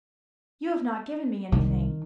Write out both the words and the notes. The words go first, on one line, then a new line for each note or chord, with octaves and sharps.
"You have not given me anything."
C2 D#3